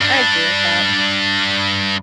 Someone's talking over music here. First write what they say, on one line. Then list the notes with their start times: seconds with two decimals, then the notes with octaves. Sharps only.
I agree with that.
0.01 G2 D4